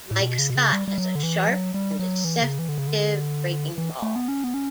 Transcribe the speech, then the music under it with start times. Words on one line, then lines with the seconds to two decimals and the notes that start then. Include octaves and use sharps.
Mike Scott has a sharp and deceptive breaking ball.
0.11 A2
0.22 B2
0.39 C#3
0.50 B2
0.55 C#3
0.73 G3
0.88 G3
0.98 F#3
1.15 D3
1.23 E3
1.48 F#3
1.74 G3
1.99 F#3
2.25 E3
2.42 C#3
2.59 E3
2.69 D3
2.78 C#3
2.87 D3
3.78 E3
4.02 A3
4.16 B3
4.28 C#4
4.44 B3
4.54 C#4